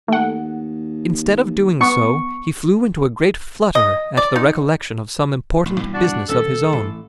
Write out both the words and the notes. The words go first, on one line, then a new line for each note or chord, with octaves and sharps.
Instead of doing so, he flew into a great flutter at the recollection of some important business of his own.
D#2 A3 F#5
B3 C#6
D#5
D5
D#4
A1
G2 B2 E3
D4 F#4
D#1 C#4 A4
A1